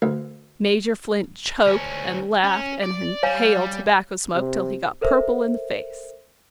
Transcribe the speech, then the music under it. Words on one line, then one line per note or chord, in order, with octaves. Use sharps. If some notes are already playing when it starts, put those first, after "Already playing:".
Major Flint choked and laughed and inhaled tobacco smoke till he got purple in the face.
D2
D2 C#4
C#4
D5
G3 C#5 F5 G#5
C3
A4 A#4 C5 E5